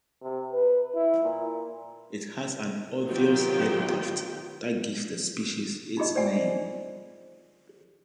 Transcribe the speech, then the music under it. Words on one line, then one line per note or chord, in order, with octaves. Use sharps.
It has an obvious head tuft that gives the species its name.
C3
B4
E4
A#2
D#3 F#3 B3 F4 G4 G5
D#4 F4 G#4 D#5
C5 D5 D#5 F#5 G#5